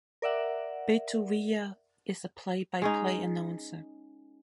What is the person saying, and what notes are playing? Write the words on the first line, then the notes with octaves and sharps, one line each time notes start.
Beto Villa is the play-by-play announcer.
A#4 D5 E5 F#5
G#3 C#4 D#4